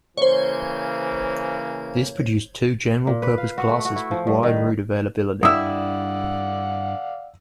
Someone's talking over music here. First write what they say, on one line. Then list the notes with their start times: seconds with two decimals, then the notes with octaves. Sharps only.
This produced two general purpose classes with wide route availability.
0.17 C#3 E3 A#3 C5 C#5
3.07 A#2
3.22 B4
3.38 F5
3.58 F#4
3.69 A3
3.85 F#4
3.96 E4
4.11 F3
4.27 G2
4.43 D#3
4.57 B4
5.43 G2 E4 D5 F5 F#5 D#6 E6